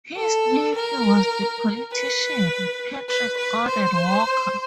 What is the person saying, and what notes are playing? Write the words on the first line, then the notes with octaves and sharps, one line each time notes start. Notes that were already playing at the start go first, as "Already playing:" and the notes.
His nephew was the politician Patrick Gordon Walker.
A4
A#4
B4
B4
B4
C5